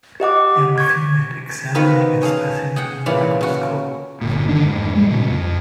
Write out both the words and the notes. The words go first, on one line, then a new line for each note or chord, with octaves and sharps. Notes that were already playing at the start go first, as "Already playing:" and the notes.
Young female examining a specimen in a microscope.
G4 D#5 F#5 D6
C#6 G#6
D#3 B3 C4 F4 F#4 B4
C#4 G#4 A4 F5
G#4 F#5 G5
A#2 C#3 E3 B3 D5
C#3 F#4
G1 A#2
D3 D#3 D4
F2 G#2
A2 G3 G#3
A#2 C#3
F2